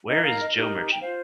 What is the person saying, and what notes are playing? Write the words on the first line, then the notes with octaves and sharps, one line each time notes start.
Where Is Joe Merchant?
D#4 A#4 D#5
F5
D#5
D#4 G4 A#4
G5
F4 C5 F5